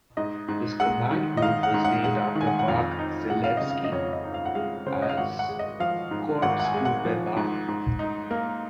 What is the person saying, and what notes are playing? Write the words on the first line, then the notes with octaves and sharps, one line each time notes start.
This command group was named after Bach-Zelewski, as "Korpsgruppe Bach".
G#2 D#5
G#2
G#3 F#5
D#3
D#5
G#2 F5
F#5
G#2
F#5
G#3 F#5
D#3
G#5
F#5
F#5
F2 F5
D#4
G#3 F#5
F5
C#3 D#5
F5
D#5
F2 C#5
D#5
D#4
F5
F#5
G#3 F5
C#3 C5
C#5
D#5
F5
G#1 F#5
F#5
G#3
D#5
F3 F5
G#2
G#1 F#5
F#5
G#5
G#3
F#5
F3
G#2
G#2
D#4
A#3 A#4